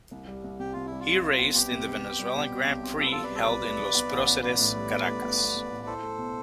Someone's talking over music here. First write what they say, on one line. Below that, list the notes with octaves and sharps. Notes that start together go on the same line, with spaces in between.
He raced in the Venezuelan Grand Prix held in Los Proceres, Caracas.
C2
G3
C2
C3 G4
C3 F4
E4
G3
F4
C2
G3
B3
B3 G4
C3
B3
C4
G3
B2
C4
B1
C4
G3 F4 A4
B4
B2 F4 A4
B4 D5
G3 A4 C5
C5
B1 B4 D5
B1
B1
B3
A1
B3
A1 B4 D5
A2
G3
B3
A2
B3
B3
B3
A2
E4 A4 C5
A3
B2